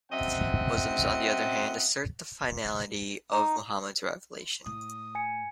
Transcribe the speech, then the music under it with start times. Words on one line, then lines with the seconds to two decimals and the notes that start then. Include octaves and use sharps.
Muslims, on the other hand, assert the finality of Muhammad's revelation.
0.12 F#2 C4 D#5 E5 F#5
3.32 D#4
4.66 A2 D#6
5.15 G#5 C#7